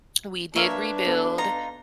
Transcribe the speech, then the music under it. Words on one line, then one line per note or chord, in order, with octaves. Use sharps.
we did rebuild
A#3 D4 A#4 B4 C#5 E5 F5
B3 A4
D#4 F4 A#5